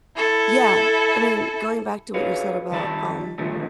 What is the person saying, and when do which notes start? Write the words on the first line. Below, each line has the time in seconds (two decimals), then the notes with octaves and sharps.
yeah, I mean, going back to what you said about, um,
0.15 E4 A4
2.14 F#4 G#4 B4 C#5 F5
2.72 D#3 G3 D5 A5 B5
3.38 A#2 D3 D#3 F3 G3 A3